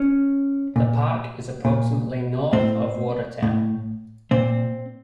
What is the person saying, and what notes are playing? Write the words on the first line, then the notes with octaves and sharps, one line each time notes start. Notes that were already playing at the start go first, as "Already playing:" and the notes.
The park is approximately north of Watertown.
Already playing: C#4
A#2
A#2
A2 C4
A2
A#2 C4